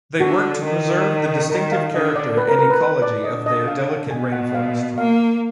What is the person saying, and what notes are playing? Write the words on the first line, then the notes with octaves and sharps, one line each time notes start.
They work to preserve the distinctive character and ecology of their delicate rainforest.
D3 F#4
D#3
D#3 A#4
F5
D3 D#5
D5
B4
A#4
A#4
B4
B4
D5
D3 D#5
D#5
F5
F#5
B2 G#5
F#5
F5
A#3 F5